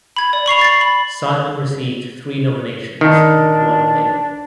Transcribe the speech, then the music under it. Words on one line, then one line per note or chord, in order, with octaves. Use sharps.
Simon received three nominations and one win.
B5 G#6
D5
B5 C#6 C7 F7
A6 C7
B5
D#3 D4